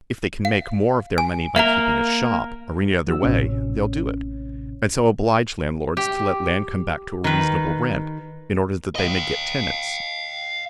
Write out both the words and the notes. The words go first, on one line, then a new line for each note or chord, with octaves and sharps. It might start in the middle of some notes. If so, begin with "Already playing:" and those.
If they can make more of their money by keeping a shop, or any other way, they'll do it, and so oblige landlords to let land come back to a reasonable rent, in order that they may get tenants.
F5
G#5
A#3 A#4 E5 F5 A#5
F3 F#4 E6
A1 A2 C3 C#4
G4
D#3 B4
D#5 F5